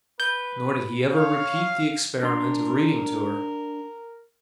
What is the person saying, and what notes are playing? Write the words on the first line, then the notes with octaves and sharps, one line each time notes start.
Nor did he ever repeat the experiment of reading to her.
B4 G6
C#5 F5
D4 A#4 C6